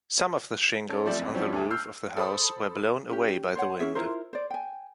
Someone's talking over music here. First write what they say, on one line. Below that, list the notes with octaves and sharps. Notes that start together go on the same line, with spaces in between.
Some of the shingles on the roof of the house were blown away by the wind.
C#4 A4
F3 G3 A3 C4 C5 D5
F#1 C2
F3 G3 C4 C#4 E4 F#4
D2 A3 G#5
E6 F6 G6 C7
A4 C5 B5 D#6
C#4 G4
C5 C#5 F#5
C#4 E4 G#4 E5
E4 F4 A#4 C5
C5 D5
G5 G#5